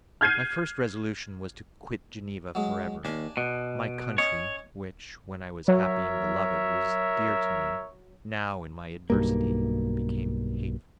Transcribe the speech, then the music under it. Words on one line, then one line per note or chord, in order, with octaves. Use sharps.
My first resolution was to quit Geneva forever; my country, which, when I was happy and beloved, was dear to me, now, in my adversity, became hateful.
F6 G6 G#6 C7 D#7
F#3 G#3
D#2 D4 G#5
B2
C#4 C#5 D#5
F#3 A#4 C#5 E5
B1 G2 A#3